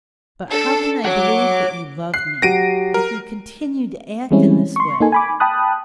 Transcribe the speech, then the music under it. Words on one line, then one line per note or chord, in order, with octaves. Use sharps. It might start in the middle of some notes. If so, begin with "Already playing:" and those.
'But how can I believe that you love me, if you continue to act in this way?
D4 A4
C#5 F#5 D6
F#6 C7
F#3 F#4 G4 A#6 D7 D#7
A#4
E3 G3 G#3 C4 C#4 E4
C6 C#6
A#3 D#4 A4 G#5
G#5 B5 D6
G5 A5 B5 D#6 F#6